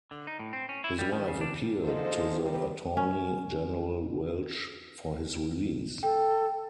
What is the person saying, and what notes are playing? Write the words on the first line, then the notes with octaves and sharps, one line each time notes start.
His wife appealed to the Attorney General Welsch for his release.
D3
D#4
A2
C4
C#4
E4
G3
D#3
C#3
D4
D2 G#2 F3 A4 C5 D#5
G2 C3 G3 G4
C#4
A4 G5